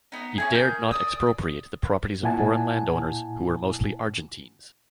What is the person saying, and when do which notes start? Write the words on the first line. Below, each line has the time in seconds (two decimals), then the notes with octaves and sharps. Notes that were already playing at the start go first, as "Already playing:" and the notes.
He dared not expropriate the properties of foreign landowners, who were mostly Argentines.
0.12 B3 D#4
0.38 C#4 D#4 G#4
0.51 G#4 A#4 F6 G6
0.91 D5 D#6 E6
2.23 A#2 E4 F#5 G#5 A5